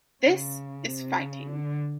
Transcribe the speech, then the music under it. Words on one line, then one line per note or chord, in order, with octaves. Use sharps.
This is fighting.
C#3
C3
C#3
D3